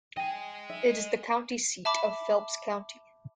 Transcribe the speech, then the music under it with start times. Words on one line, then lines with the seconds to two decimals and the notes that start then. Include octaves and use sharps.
It is the county seat of Phelps County.
0.17 D#5 G5 G#5
0.70 E5
1.85 E5 A5 B5 D6